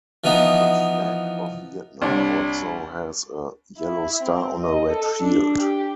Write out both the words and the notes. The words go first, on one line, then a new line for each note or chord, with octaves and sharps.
The flag of Vietnam also has a yellow star on a red field.
E3 F3 B3 D#4
C2 D4 C#5
E4
C4
D#5
A4
D4
G4